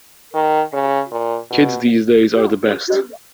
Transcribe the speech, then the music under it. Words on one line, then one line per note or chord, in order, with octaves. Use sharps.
Kids these days are the best.
D#3
C#3
A#2
B2